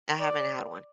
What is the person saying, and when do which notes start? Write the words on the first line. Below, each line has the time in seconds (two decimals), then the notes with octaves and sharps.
I haven't had one.
0.20 D5